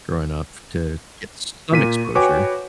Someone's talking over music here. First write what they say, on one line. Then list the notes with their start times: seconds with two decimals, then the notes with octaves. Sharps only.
growing up to get some exposure.
1.72 A#2 B6 D#7
2.15 F#4 B4 C#5 G5 G#5 D6